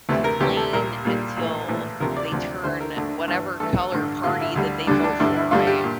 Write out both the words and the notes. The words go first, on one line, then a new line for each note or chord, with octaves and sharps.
complain until they turn whatever color party that they vote for, right?
D2 C3 E3 A3 E4
A#4
D2 C3 E3 A3 G4
A4
A#1 A#2 G3 A#4
A#1 A#2 G3
A#1 A2 E3 A3
A#1 A2 E3 A3
D2 C3 F3 A#4
D5
D2 C3 F3
D2 D3 A3 C5
A#4
D2 D3 A3
G2 E3 A3
G2 E3 A3 A4
A1 G2 D3
A1 G2 D3 F4
E4
D2 D3 G3
D2 D3 G3 D4
D4
G2 D3 G3 E4
E4
G2 D3 G3 F4
G4
A#2